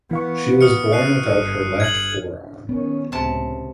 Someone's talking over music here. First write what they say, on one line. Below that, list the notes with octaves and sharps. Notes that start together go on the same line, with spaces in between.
She was born without her left forearm.
E3 B3 F5 C#6
D#6 F6 C#7
F#6 C7 D#7
G1 A4
G#6 F#7
D#3 B3 C#4
C#2 A2 C3 A5